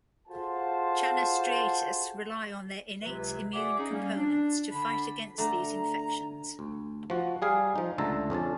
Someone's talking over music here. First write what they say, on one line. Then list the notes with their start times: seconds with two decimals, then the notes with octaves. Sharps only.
Channa striatus rely on their innate immune components to fight against these infections.
0.28 F4 F#4 G#4 A4 C5 A5
3.02 C#2 C3 E3 F#3 B4
3.53 F#4 G#4 D5 E5 F#5 D6
3.77 C#4 D#4 G#4
3.91 G3 A#3 C#4
4.15 D4
4.72 D3 D4 B5
5.38 D3 A3 F#4 A#5
6.59 D2
7.10 F3 F#4
7.42 G3 G#4 F5
7.76 F3 D#4
7.98 C#2 D3 A3 A4 A5 A#5
8.30 F2 C#4 D4 A5